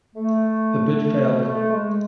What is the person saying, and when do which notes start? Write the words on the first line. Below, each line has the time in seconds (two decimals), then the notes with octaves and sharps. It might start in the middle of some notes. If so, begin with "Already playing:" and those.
The bid failed.
0.15 A3
1.49 A3
1.72 G#3